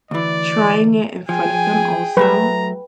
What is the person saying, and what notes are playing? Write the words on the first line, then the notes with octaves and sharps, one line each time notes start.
Trying it in front of them also.
D2 E3 D5
F3 G#4 G5 G#5
F#3 A3 B4 E5 A#5